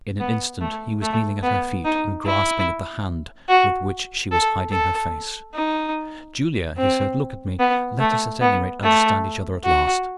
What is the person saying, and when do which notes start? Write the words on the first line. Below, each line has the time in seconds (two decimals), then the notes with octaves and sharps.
In an instant he was kneeling at her feet, and grasping at the hand with which she was hiding her face. "Julia," he said, "look at me; let us at any rate understand each other at last."
0.20 B3
0.61 A3
1.02 A3
1.43 B3
1.85 D#4
2.25 E4
3.49 F#4
4.32 A4
4.72 A4
5.54 D#4
6.77 C4
7.59 B3
8.00 A3
8.41 B3
8.83 A3
9.65 F#4